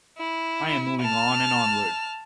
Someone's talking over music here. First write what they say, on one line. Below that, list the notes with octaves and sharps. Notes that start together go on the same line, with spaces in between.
I am moving on and onward.
E4
A5 F6